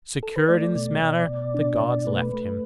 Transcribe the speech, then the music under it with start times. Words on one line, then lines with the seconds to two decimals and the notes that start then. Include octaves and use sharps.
Secured in this manner the gods left him.
0.23 A4
0.36 B4
0.48 A3 D5
0.75 B2
1.02 B2
1.28 B2
1.54 D4
1.81 B2
2.06 A3 B4
2.33 A3